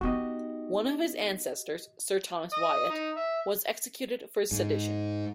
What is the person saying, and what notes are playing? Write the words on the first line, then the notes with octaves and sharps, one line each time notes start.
One of his ancestors, Sir Thomas Wyatt, was executed for sedition.
B3 D#4 F#4 G4 D#5
D#5
D#4
E5
G#2